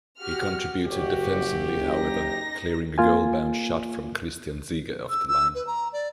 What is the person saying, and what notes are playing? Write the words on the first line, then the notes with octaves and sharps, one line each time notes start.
He contributed defensively, however, clearing a goal-bound shot from Christian Ziege off the line.
F#4 G4 F6
F#1 F#4 G4
D#4 A#6
A#3 F4 G#5
E6
E6
B4
A#5
D5